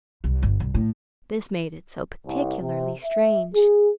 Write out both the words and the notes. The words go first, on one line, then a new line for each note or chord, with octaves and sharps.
This made it so particularly strange!
C2
G1
C2
A2
C2
C3
E5
G#4